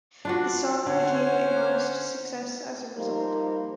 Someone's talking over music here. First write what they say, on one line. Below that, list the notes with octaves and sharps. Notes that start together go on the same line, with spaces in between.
The song became a modest success as a result.
D4 F4 F#4
D3 C#4 C5 C#5 F#5
F3 G3 A#3 D#4 C5